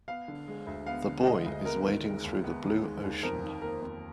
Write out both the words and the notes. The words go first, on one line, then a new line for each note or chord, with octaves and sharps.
The boy is wading through the blue ocean.
B3 F5
D3
G#3
D2
B3 F5
D3
G#3 D#5
D2
B3 A#4
D#3
G#3
D#2
B3
D#3
G#3
D#2
F2 A#4
D#3
A#3 A#4
F2